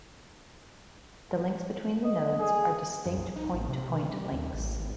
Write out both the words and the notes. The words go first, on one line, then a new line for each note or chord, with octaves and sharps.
The links between the nodes are distinct point-to-point links.
D#5
G#4
F#2
C2
D#4
A1
C3
D#3
G3
D#2
A1
G#1